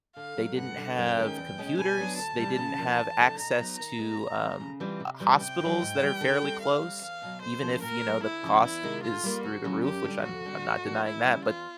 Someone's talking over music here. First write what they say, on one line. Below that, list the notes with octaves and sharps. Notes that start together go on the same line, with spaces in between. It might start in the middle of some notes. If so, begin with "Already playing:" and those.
they didn't have computers, they didn't have access to, um, uh, hospitals that are fairly close, even if, you know, the cost is through the roof, which I'm I'm not denying that, but
D3 F5
F#3 A3
G2 F#5
D3 G3
F#2 G5
D#3 G#3 C#4
E2
B2 G#3 C#4
B2 G#5
F#3 B3 D4
D2 A5
C3 E3 G3
C#3
F3 A#3 D4
E2
C3 F3 A3 D4
B2 A#5
F#3 B3 D#4
D#3 A#5
G#3 B3
A#2
G3 C4
C#3
E3 G3 C4 F4
C3
E3 G3
C3 G5
D#3 F#3
G#2
E3 G3
D3
G3 C4
D#3 F5
G3 C4
E2 F5
B2 F#3
F2 C5
C#3 F3 A#3
A#2 A#4
F#3 A#3
D2 E4
C#3 F3
E2 E4
C3 D#3 G#3
D3 F4
G3 A#3
D2 F#4
C#3 F#3
F#2 G4
D3 G3
F2 F#4
D3 G3 C4
G#2
F3 A#3 D4
D#2 E4
C#3 E3 G3
E2 F4